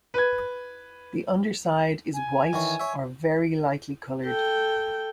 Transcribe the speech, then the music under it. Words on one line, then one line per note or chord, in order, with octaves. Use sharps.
The underside is white or very lightly coloured.
B4 G#6
G#5
D#3 E3 C#5
C#5 E5
A4 G5